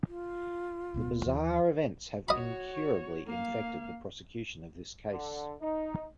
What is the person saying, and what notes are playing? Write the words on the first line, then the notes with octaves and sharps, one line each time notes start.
The bizarre events have incurably infected the prosecution of this case.
F4
D1 B2 B3
D#2 E3
F#4 C#5 D#5 B5
A#3 F5
D3
D#4